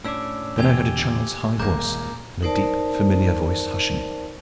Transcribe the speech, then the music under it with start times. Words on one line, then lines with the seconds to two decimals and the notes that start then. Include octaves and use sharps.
Then I heard a child's high voice, and a deep familiar voice hushing it.
0.05 A2 C#4 D4 D6 E6
0.58 E2 D3 G4 G#5 G#6 F7
1.60 D#1 G#3 A#3 A#5 D6 G6
2.43 D#4 A#4 C5 D5 A5